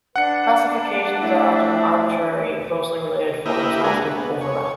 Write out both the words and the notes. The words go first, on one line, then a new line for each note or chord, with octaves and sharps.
Classifications are often arbitrary, and closely related forms often overlap.
D4 B4 F#5 C#7
A3 E4
A#3 E4 G4 B4 D#5
G#3 D4 F#4 G#4 A#4
B3
C#5